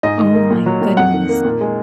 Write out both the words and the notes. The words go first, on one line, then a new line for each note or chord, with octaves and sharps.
Oh my goodness.
G#2 D#5
D#3
A#3
A#2
F#3
A#2
F2 F#5
D#3
A#3
A#2
G#3